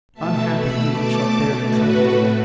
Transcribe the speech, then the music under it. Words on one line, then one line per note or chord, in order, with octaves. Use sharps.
Unhappy he who shall dare to trifle with them!
B2 A3 E5 A5
B5 E6
A5 D6
A2 A3 F#4 B4